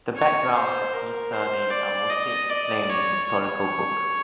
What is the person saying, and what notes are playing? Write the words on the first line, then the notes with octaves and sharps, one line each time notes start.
The backgrounds of these surnames are mostly explained in historical books.
C#5
C5
A#4
C5
D5
D#5
D5
C#5
C#5